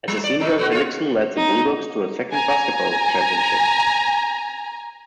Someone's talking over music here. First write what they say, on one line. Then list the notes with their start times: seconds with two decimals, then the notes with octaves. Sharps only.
As a senior, Hendrickson led the Bulldogs to a second basketball championship.
0.08 G3
0.24 D5
0.40 A2 D#4
0.58 A3 B3 F#4
0.72 F4 C#5
1.36 D#4
2.33 G#5 A#5